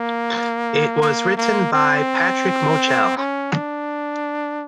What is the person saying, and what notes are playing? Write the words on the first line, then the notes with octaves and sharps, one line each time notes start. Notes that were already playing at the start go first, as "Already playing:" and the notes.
It was written by Patrick Mochel.
Already playing: A#3
A#3
A#3
C4
C#4
D4